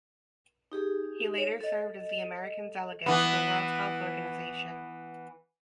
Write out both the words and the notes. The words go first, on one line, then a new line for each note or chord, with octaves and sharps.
He later served as the American delegate to the World Health Organization.
D#4 G4 G#4
C#5
A4 D#5
E3 B3